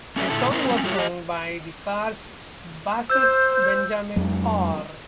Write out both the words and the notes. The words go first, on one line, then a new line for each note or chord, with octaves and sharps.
The song was sung by the Cars' bassist Benjamin Orr.
A3 C#4 A4 B4 D5 E5
A#2 D3 E4 A4
B3 C#4 A#4 C5
F#3 G3 C4 C#4
G3 A3 F4 F#4 C#5
G4 D#5
C5 E6 G6
F2 F#3 G#3